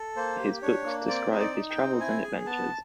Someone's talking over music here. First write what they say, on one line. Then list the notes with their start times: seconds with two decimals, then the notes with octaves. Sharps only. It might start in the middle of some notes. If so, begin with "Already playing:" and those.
His books describe his travels and adventures.
Already playing: A4
0.16 A#3 C5
0.39 G4
0.62 D4 C#5
0.85 A#3
1.08 C4 D5
1.31 D#4
1.39 D5
1.54 D#4
1.70 G5
1.77 C4
2.00 E4 G#5
2.23 G#4
2.46 B3 A5